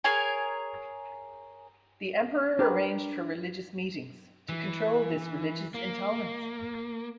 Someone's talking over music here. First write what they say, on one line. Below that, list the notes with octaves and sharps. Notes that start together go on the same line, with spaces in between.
The emperor arranged for religious meetings to control this religious intolerance.
G#4 A#4 C#5 G#5
D4 G4 A#4 B4
E3
A#3